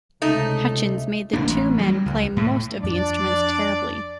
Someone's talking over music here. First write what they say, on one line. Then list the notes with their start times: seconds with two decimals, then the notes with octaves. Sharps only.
Hutchins made the two men play most of the instruments terribly.
0.22 C#2 C3 A3 D#4
1.33 D#1 C#2 A#3 D4
1.46 A1
1.79 F#3 G3 A3
2.06 C#2
2.37 A2
2.83 F2 D4 D5